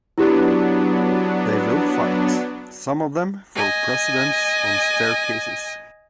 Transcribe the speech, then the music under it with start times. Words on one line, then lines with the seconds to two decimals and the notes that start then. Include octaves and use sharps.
They will fight, some of them, for precedence on staircases!
0.18 F#3 B3 D4 E4 G4
3.55 D#5 G#5